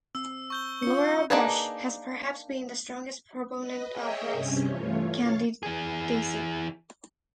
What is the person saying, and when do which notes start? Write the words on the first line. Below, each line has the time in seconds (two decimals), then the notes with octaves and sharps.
Laura Bush has perhaps been the strongest proponent of Rice's candidacy.
0.15 C4 E6
0.50 C#6 G6 G7
0.82 C#4 F4 C#7
1.30 A#3 D4 D#4 G#4 B4
3.58 B4 D#5
3.91 G#4 C#5 D#5 E5 G5
4.31 G2 C3 C#4
4.67 E3 A3 F4 C#5
5.11 C#5 F5 A6 C#7
5.63 E3 G#4